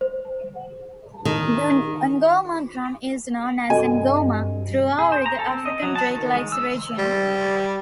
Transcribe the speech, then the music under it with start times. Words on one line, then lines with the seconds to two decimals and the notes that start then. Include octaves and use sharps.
The ngoma drum is known as "engoma" throughout the African Great Lakes region.
0.01 C5
1.25 D#3
3.70 G2 C3 F#4 A4 D#5 G#5
4.99 G#4
5.12 C5
5.26 A#5
5.39 A4
5.50 C4
5.66 D#5
5.83 F#3
5.96 A5
6.10 D#3
6.34 G#3
6.52 E6
6.98 G3